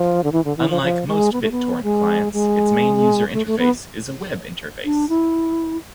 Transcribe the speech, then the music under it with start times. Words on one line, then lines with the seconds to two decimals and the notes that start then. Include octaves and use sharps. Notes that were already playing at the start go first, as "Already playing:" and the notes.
Unlike most BitTorrent clients, its main user interface is a web interface.
Already playing: F3
0.24 D3
0.32 E3
0.45 D3
0.57 E3
0.70 F3
0.82 F3
1.07 G#3
1.33 B3
1.42 A3
1.51 B3
1.83 G#3
2.33 G#3
3.34 A3
3.47 A3
3.59 B3
4.85 D4
5.09 E4